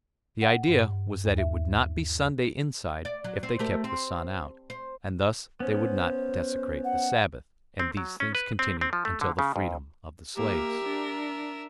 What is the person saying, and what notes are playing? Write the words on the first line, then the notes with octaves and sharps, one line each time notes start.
The idea was that it would not be Sunday inside if they kept the sun out, and thus they would not desecrate the Sabbath; and these things continued until the freedom of the slaves.
F#5
G2
D#2
E5
D5
F#3
C4
A3 G4 A#4
C4
C5
B3 C#4 C5
F#5
C4
F#3
C#4
B4
C4
C4
F3
A3
D3
C#3
F2
A#3 G4 A#4 E5
D4